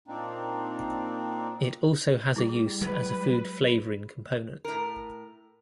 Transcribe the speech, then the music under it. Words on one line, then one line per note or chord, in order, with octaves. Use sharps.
It also has a use as a food flavoring component.
A#2 A#3 C4 D4 D#4
G3 E4 G#4
F#3 G#3 B4
A2 A#4